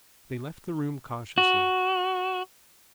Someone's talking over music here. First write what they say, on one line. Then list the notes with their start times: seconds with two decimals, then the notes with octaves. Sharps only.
They left the room cautiously.
1.38 F#4